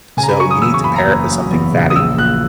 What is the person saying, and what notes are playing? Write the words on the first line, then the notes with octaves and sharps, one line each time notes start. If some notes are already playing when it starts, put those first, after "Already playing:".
So, you need to pair it with something fatty
C#3 G#5
A#5
B5
F#3 C#6
D#6
E2 E6
C#6
F#1 B5
A#5
F#1
F#3
E2
C#3
D#6
A#1 E6
A#1 F#6